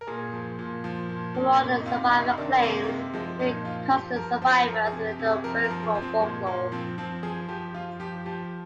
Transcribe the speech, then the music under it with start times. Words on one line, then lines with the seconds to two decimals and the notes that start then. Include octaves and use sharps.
For more on survivor claims, see "Custer Survivors in Little Bighorn Folklore".
0.01 A#4
0.07 A#2 G#4
0.33 F3
0.59 A#2
0.84 F3
1.09 A#2
1.35 A#2
1.60 C3
1.81 D#4
1.86 C3 F4
2.04 F4
2.11 C3 D#4
2.37 D#3 D4
2.62 C3 A#3
2.84 A#3
2.88 C3 G#3
3.13 F3 G#3
3.39 A#2 D#4
3.65 F3 F4
3.91 F3 G4
4.16 F3 A#4
4.42 F3 C5
4.68 F3 A#4
4.86 G#4
4.93 C3
5.06 G4
5.19 C3
5.25 G#4
5.44 F3 A#4
5.64 A#4
5.71 F3
5.83 G#4
5.95 F3
6.02 C4
6.21 A#2 G#3
6.46 A#2 A#3
6.72 F3 C4
6.98 F3 C4
7.23 F3 G#4
7.48 F3 G4
7.74 F3 F4
8.00 F3 G4
8.26 F3 G4